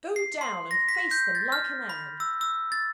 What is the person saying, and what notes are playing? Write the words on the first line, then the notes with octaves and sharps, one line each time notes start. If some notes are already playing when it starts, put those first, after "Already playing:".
Go down and face them like a man.
C7
C6
A#6
B6
G6
A6
F6
B5
E6
E6
A6